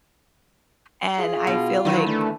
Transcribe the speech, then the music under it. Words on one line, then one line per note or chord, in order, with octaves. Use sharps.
and I feel like
F4 G#4
B2
D#3 E3 F#3
D3 A3